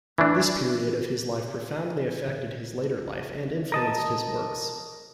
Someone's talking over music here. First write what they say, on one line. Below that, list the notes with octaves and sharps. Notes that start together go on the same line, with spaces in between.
This period of his life profoundly affected his later life and influenced his works.
E3 A3 D4
A#4 D#5 A5